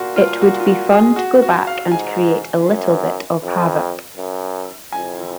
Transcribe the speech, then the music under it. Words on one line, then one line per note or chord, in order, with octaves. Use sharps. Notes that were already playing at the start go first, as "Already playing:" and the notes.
It would be fun to go back and create a little bit of havoc!
Already playing: A#2 F4 F#4
F4
F#4
F4
F#4
G#4
F#4
F#4
F5
G#2 G#5
F#2
F2
F#2
F2 G#5